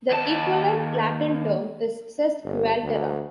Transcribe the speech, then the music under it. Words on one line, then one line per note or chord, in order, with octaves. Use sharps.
The equivalent Latin term is sesquialtera.
D#2 A5
G1
D2